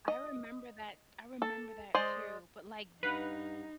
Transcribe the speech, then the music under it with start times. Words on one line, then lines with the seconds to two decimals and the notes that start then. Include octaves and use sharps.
I remember that t I remember that, too, but, like, v
0.08 D#5
1.42 A4
1.94 G#3 C5 D5 D#5
3.03 G2 D#4 B4 F5 F#5